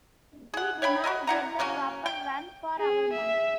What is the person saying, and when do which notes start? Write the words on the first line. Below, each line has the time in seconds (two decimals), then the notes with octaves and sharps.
We do not get the proper run for our money.
0.54 G#4 F#5
0.82 C#5 E5 G5 B5
1.04 F#4 G4 A#4 D#5
1.27 D3 E4 F#5 A#5
1.59 C#3 F#3 A#3 C#4
2.06 G5
2.79 G#4
3.13 E5